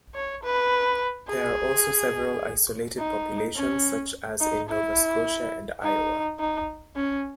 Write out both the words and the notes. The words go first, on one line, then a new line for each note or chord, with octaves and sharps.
There are also several isolated populations, such as in Nova Scotia and Iowa.
C#5
B4
G#4
D#4
C#4
D#4
E4
D#4
D#4
C#4